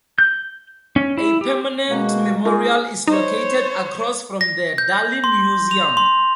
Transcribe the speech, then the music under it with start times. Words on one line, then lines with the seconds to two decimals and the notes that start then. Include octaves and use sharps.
A permanent memorial is located across from the Dali Museum.
0.18 G6
0.96 C#4
1.18 E4
1.41 G4
1.90 B2 G#3 A#3 F#4
2.45 D#4 F4 G#4 A#4
3.07 D#4 C5 C#5
4.41 A#6
4.78 G6
5.24 C6
5.71 F7
5.97 C6